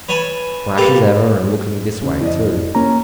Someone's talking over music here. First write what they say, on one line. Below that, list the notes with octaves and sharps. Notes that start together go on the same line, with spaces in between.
"Flash as ever, and looking this way, too."
B4 C#5 G#5 A5 B5
A#3 G4 A4 B4
C#3
F2 E4 D5 D#5
A#3 C#4 A#5